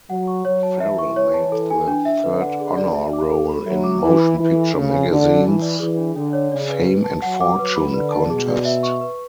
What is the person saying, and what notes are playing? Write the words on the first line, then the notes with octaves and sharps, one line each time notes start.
Farrell made the third honor roll in "Motion Picture Magazine's" "Fame and Fortune Contest".
F#3 F#5
C#6
F#3 C#5
A5
E3 E5
C#6
C#5
A5
A4
G#5
D4
E5
D3 B4
F#5
G#4
D5
E5
D6
A4
B5
F#3 E5
D6
E3 B4
B5
E3 E5
A4
C#3 A4
G#5
D3 A4
A5
E3 E4
D5
E3 G#4
D4
D3 D4
C#5
C#3 D5
B4
B4
A5
F#3 F#5
D6
F#3 B4
B5
D3 B4
A5
B2 G#4
D5
E5
C#6
B4